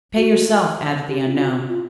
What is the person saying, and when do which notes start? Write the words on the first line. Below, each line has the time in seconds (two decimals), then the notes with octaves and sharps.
"Pay yourself," added the unknown.
0.16 F#4
1.08 G4
1.27 F4
1.39 F#4
1.69 F4